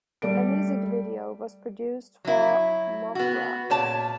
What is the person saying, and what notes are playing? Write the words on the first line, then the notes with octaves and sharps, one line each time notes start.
A music video was produced for "Mothra".
G3 A3 D7
F#3 E4
B3 F#4
A#2 C#5 A5